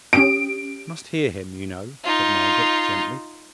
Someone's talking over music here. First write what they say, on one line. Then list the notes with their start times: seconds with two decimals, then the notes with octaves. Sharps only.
"I must hear him, you know," said Margaret, gently.
0.13 C#4 G4 D#6 D7
2.04 D#4 F4